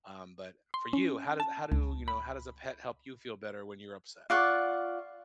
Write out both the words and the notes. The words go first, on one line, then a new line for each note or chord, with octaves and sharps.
um, but for you, how does how do, you know, how does a pet help you feel better when you're upset?
C6
C#4
A5
C#2
B5
F4 D5 F#5 C#6